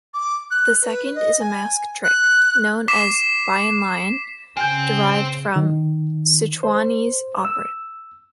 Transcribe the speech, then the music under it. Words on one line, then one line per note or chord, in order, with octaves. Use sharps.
The second is a mask trick, known as Bian Lian, derived from Sichuanese opera.
D6
F#6
B4
D#5
G#5
F#6
D6 B6 C7 E7
C#3 C5 G5 G#5 G6
D#3
C5
E6